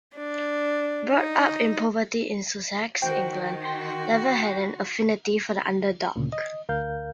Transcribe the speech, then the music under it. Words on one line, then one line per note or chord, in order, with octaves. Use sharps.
Brought up in poverty in Sussex, England, Levett had an affinity for the underdog.
D4
D#4
D#3 F#4 C5 G5
F#4 C6
D2 A#2 C#3
D#5
D2 A#4 F5 G6